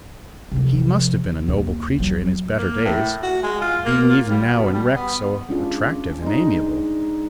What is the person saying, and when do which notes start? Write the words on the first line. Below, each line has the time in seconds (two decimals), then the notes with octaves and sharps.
He must have been a noble creature in his better days, being even now in wreck so attractive and amiable.
0.52 C3 F3
1.48 D#2
2.00 F#3
2.57 A#3
2.85 A2
3.23 F#4
3.43 G#3
3.62 F4
3.85 A#3
4.09 F4
4.28 G3
4.52 B2
4.74 G3
4.96 B3
5.49 G#3 C#4 D4 F4 G#4
6.22 G#3 D4 D#4